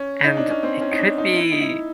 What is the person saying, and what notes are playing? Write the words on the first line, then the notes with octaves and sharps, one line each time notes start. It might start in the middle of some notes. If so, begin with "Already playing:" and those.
and it could be
Already playing: C#4
D#4
D4
C#4
C4
C#4
D#4
D4
D#4
E4
D#4
E4